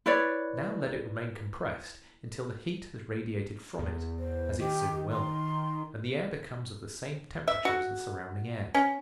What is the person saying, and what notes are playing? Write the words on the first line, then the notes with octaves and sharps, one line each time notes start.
Now let it remain compressed until the heat has radiated from it, as it soon will, and the air becomes of the same temperature as the surrounding air.
E4 B4 C#5 D5
E2
C5
D#3 G4
C6
E5
F#4
C#4